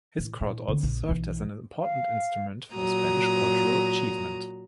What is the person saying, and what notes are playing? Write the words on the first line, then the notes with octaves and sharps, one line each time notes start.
His court also served as an important instrument for Spanish cultural achievement.
A2
A#2 E4
D3 C4
A#1
B1 E3
F5
A#2 F#3 A#5 D#6